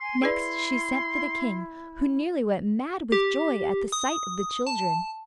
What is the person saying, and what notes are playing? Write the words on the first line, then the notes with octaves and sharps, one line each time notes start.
Next she sent for the king, who nearly went mad with joy at the sight of the children.
G#5 C6
E4 G#4 B4 D5
G4
D#6
A5